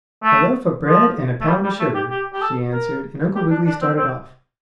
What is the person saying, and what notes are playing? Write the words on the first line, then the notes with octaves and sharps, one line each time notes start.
"A loaf of bread and a pound of sugar," she answered, and Uncle Wiggily started off.
A3
F3
A3
G3
G3
A3
G4
G4
G4
A4
A#4
G4
D4
D4
C4
C4